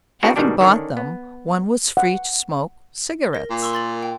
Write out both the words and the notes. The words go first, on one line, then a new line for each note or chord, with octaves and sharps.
Having bought them, one was free to smoke cigarettes.
C4 D4 E4 F#4 G#4 A#4
G#2 B2 D#3 G3 D4 G4
D3 D#3 C#4 D4
B3
F#5
A#4 A#6
A#2
C6 C#6 E6
C6 A6 F#7
G5